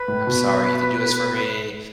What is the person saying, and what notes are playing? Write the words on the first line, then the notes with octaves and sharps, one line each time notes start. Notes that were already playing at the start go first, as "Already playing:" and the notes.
"I'm sorry you have to do this for me."
Already playing: B4
A2
B2